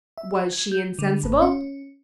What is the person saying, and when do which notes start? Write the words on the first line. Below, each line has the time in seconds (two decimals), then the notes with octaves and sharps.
"Was she insensible?"
0.18 E5
0.53 G#6
0.72 G6
0.99 D3
1.23 G#1
1.42 C#4